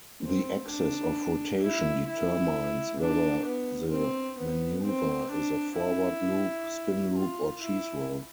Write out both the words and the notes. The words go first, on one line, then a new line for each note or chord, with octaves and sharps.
The axis of rotation determines whether the maneuver is a forward-loop, spin-loop, or cheese-roll.
C4
D4
E4
E4
D4
B3
C4
B3
C4
D4
E4
F4
E4